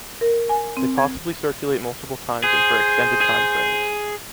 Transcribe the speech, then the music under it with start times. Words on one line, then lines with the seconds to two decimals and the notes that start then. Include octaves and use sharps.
They possibly circulate multiple times and for extended timeframes.
0.21 A#4
0.49 G#5
0.77 C4
0.98 G#6
2.44 G#4 C5
3.21 G#4